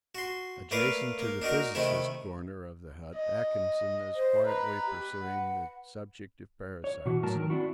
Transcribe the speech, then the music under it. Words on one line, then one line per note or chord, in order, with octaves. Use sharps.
Adjacent to the physicist's corner of the hut Atkinson is quietly pursuing the subject of parasites.
F#4 C6
A3 A#3 B4 D5 F5
A#3
D4 D#4 F#4 A#4
C3 D#3 A3 E4 A4
D#5
C5
B4 A#5
G4
F#5
C#5
B2 E3 F#4
A2 F#3 A#4 A5
D#3 A#4
C4 D4 E4 F#4